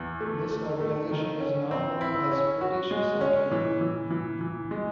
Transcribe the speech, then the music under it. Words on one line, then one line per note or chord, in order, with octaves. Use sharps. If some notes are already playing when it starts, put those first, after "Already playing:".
This organization is now known as British Cycling.
Already playing: E2
A3
A3
A3
D#3
C#4
C4
E4
C#4
F#4
G#3
C#4
E3
E3
E3
E3
G#3